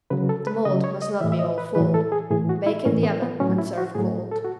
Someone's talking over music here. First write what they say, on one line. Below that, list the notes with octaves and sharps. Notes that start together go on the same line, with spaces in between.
The mold must not be all full. Bake in the oven and serve cold.
C#3 F#3 B4
A4
B4
C#3 F#3 D#5
C#5
D#5
A2 E3 E5
E5
D#5
B4
A2 E3 B4
A4
G#4
A2 E3 G#4
F#4
E4
A2 E3 C#4
B3
B3
A2 F#3 C#4
E4
F#4
A2 F#3 G#4
A4
F#4